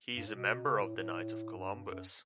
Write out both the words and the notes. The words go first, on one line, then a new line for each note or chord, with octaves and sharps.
He is a member of the Knights of Columbus.
G2
A2
B2
C#3
A2
A2
G2
F#2